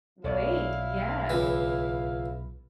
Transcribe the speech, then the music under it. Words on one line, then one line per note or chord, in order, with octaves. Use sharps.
Wait, yes.
B1 E4 A4 C#5 D5 F5
C#2 E3